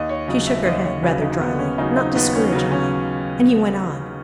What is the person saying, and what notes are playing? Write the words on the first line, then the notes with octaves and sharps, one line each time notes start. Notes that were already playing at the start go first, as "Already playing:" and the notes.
She shook her head, rather dryly--not discouragingly--and he went on.
Already playing: D#2 D#5
C#5
C#3 F#3 D#5
E5
D#2 D#5
C#5
C#3 F#3 B4
D#4
D#2 B3
C#4
C#3 F#3 D#4
D#4
D#2 B3
C#4
C#3 F#3
C#4